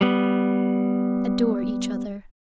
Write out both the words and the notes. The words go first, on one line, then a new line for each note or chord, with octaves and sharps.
Adore each other.
G3 B3